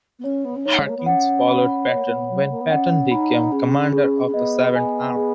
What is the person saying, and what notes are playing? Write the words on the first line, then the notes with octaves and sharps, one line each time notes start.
Harkins followed Patton when Patton became commander of the Seventh Army.
B3
C#4 C#5
B3
C#4
D#4 C#5
G#3
A#3
B3
C#4 F#5
B5
B3 C#5
A#3
B3
F#3 C#5
G#3
A#3
B3
C#4 F#5
D#4 B5
C#4 G#4
G#4
C#4
B3 D#5
G#5
G#4